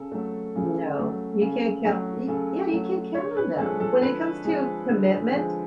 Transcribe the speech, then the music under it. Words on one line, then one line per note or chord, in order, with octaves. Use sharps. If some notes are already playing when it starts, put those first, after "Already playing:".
No. You can't count Y yeah, you can't count on them. When it comes to commitment,
Already playing: C#3 A4
F#3 A3
C#3
F#3 A3
C#3
F#3 A3
C#3 A4
F#3 A3
D3 C#5
B4
F3 G#3 A4
A4
D3 B4
F3 G#3
D3
F3 G#3